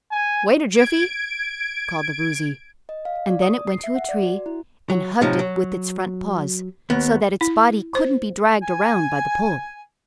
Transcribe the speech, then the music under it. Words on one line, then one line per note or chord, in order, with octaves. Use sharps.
"Wait a jiffy," called the Woozy, and then it went to a tree and hugged it with its front paws, so that its body couldn't be dragged around by the pull.
G#5
G#6 D7
D#5
F5
D5
D#6
C7
E5
F#5
D5
F#4
E4
F#3
A2 C3 F3 F#3 D#4
F#3
D#2 B3
E4
C5
G#5